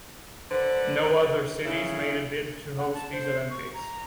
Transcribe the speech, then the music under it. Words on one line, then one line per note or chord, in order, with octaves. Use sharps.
No other cities made a bid to host these Olympics.
D3 B4 C5
C#3 E4
F#5
A5
C5
C#6
A#5